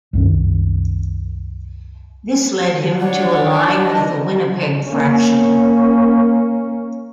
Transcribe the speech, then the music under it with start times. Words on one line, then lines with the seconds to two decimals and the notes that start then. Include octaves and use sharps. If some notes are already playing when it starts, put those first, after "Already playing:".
This led him to align with the Winnipeg fraction.
0.13 C2 F#2 D#3
3.00 D4 C#5 F#5
3.52 A5
3.83 D#5
4.84 A#3 C#4